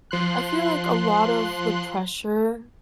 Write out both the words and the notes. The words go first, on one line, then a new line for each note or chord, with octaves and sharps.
I feel like a lot of the pressure,
F3 C6 F#6